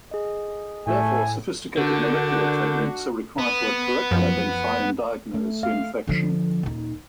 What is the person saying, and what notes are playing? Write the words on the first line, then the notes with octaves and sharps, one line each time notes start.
Therefore, sophisticated molecular techniques are required to correctly identify and diagnose the infection.
G#4 D#5
A2 A3 G#5
D3 D4 F#4 A#4 G6
B3
F#2 F3
A3
F5
D3 F3
D#1 D#4